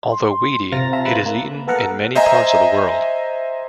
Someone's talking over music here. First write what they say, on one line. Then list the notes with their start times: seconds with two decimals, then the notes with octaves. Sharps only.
Although weedy, it is eaten in many parts of the world.
0.12 C6
0.72 C3 F4 A#5 A6 A#6
0.93 F4 E5 A5 A#5
1.06 B4 E6 F#6 A6
1.26 A#3
1.68 B3 A4 A#4 F#5 A#5
2.15 C5 D#5 E5 G#5 A#5